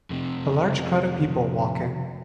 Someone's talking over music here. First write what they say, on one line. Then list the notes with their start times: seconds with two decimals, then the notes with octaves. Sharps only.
A large crowd of people walking.
0.10 F2 C3